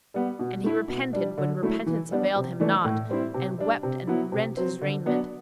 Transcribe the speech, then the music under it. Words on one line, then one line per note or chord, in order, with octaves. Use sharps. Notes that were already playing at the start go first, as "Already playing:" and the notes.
And he repented when repentance availed him naught, and wept and rent his raiment.
G3 B3
B2
A3 E4
B2
G3 D4
D3
F#3 A3 E4
E3
G3 B3 D4
C3
E3 A3 D4
A2
G3 C4 E4
C3
G3 D4
C3
F#3 B3 E4
C3
F#3 C4
D3
F#3 B3 D4